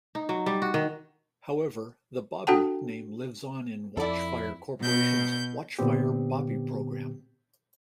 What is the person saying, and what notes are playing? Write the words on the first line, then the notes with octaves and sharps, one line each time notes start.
However, the Bobby name lives on in Watchfire Corporation's Watchfire Bobby program.
D#4
F#3
G3
F#4
D#3
D4 F#4 A4 F#5 G5 A5
F2 E4 A4 D5
B2 G6
A#2 D3 B3 C4 G4